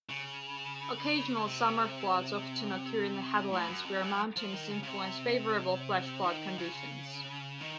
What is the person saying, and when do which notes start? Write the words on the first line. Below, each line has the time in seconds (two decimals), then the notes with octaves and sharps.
Occasional summer floods often occur in the headlands, where mountains influence favorable flash-flood conditions.
0.09 C#3
1.46 C3
3.50 A2
3.67 F#2
3.84 F2
4.02 F#2
4.37 F3
4.53 D#3
4.70 C#3
4.83 C#3
4.87 C3
6.24 D#3
6.58 C#3
7.61 D#3